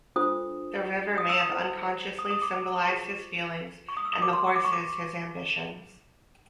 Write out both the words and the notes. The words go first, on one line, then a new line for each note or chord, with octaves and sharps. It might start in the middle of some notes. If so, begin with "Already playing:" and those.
The river may have unconsciously symbolized his feelings and the horses his ambitions.
D4 F4 A4 C5 D#6
D#6
E6
D#6
E4 A4 C5
D#6
D#6
D6
D6
F4 G#4 C5 C#6
C#6
D#6
E6
D#6
F#4 A#4 C#5 D6
C6
C#6
D6
C#6
D6